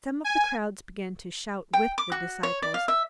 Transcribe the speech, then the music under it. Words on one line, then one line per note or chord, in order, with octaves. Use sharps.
Some of the crowds began to shout with the disciples.
G#5
G5
D6
F#4
C#5
D5
F5
E5